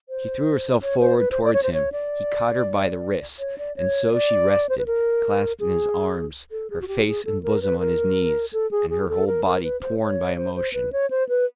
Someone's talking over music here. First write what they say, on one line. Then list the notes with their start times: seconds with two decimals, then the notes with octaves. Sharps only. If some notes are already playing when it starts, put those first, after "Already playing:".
She threw herself forward towards him, he caught her by the wrists, and so she rested, clasped in his arms, her face and bosom on his knees, and her whole body torn by emotion.
0.09 C5
0.82 C#5
1.00 C5
1.18 B4
1.31 C5
1.44 D5
1.54 C#5
1.63 C5
1.73 C#5
1.92 D5
3.39 C#5
3.58 D5
3.76 C#5
4.13 D5
4.69 C5
4.78 B4
4.87 A#4
5.60 G#4
6.51 A4
6.70 G#4
6.82 F#4
6.88 G4
7.07 G#4
7.25 A4
7.43 A#4
7.62 B4
7.79 A#4
8.53 A4
8.71 G#4
8.90 G#4
9.08 A4
9.27 A#4
9.45 A#4
9.63 B4
9.82 C5
10.00 C#5
10.37 C5
10.55 C5
10.73 B4
10.93 C#5
11.10 C5
11.29 B4